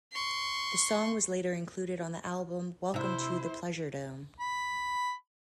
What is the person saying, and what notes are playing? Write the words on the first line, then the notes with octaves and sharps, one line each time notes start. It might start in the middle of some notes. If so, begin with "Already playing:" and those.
The song was later included on the album "Welcome to the Pleasuredome".
C6 C#6
C3 E4 C5 E5
B5